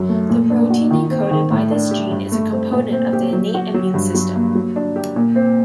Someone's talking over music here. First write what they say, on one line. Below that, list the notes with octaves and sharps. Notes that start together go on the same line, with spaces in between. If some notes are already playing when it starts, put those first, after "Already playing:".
The protein encoded by this gene is a component of the innate immune system.
Already playing: F#2 F#3
A3
A#2
D4
F#4
D#3
C4
D#3
A2
D4
G4
G2
A3
C4
A#2
C4
G4
F#3
F#4
F#3
G2
F#3
A#3
F#3
D4
G4
A#2
C4